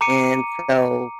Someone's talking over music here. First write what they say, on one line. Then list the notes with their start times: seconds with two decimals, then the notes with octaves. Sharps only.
and so
0.01 A#5 D6 C#7 D#7